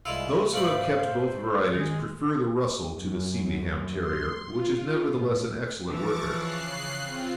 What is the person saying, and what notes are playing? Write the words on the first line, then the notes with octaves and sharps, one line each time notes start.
Those who have kept both varieties prefer the Russell to the Sealyham Terrier, which is nevertheless an excellent worker.
C2 C3 G#3 E4 F4
G#2 A3 C5 D5 F5 B5 C6 F6
D#3 G#3 G#4
F#2
C6
F4
A2
E3 F3 C#6 D6 A6
C#3 F#6 C7
C4 F4